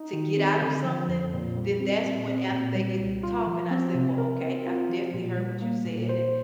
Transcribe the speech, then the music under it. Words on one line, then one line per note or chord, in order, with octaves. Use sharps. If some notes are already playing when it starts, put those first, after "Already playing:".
to get out of something, then that's when after they get through talking, I said, "Well, okay. I've definitely heard what you said, and
Already playing: D#4
D#3
C4
D3
F3
F2
A#2
G3
C4
A#2
C4
A#2
G3
C2
F4
F3
C4
C3
A#4
C4
F4
F3
A#2
G3
A#3
A#2
C5